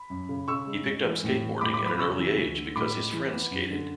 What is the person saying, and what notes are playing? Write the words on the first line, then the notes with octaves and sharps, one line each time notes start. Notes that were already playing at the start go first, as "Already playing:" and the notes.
He picked up skateboarding at an early age because his friends skated.
Already playing: B5
F#2
C#3
C#3 C#6 E6
G#3
G#2
E3
A2
E3
A2 B5 D6
B5 D6
F#3
B5 D6
C#3 C#6 E6
E3
D2
D3
A2 B5 D6
G#3
E3
B3
F#2
D3